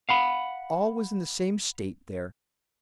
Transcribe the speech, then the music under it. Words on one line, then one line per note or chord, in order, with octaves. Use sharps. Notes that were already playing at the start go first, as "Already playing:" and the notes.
All was in the same state there.
F5 F#5 B5